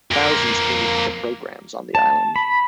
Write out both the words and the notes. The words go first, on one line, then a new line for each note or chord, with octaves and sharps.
Thousands tuned into the programs on the island.
F2 A#3
A5
B5